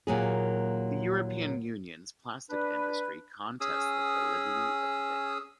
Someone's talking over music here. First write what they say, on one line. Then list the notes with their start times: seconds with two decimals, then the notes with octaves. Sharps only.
The European Union's plastic industry contests the validity of the ban.
0.07 D#2 A#2 F#3 G#4
2.50 D4 B4
3.61 C#4 G#4 D#6 E6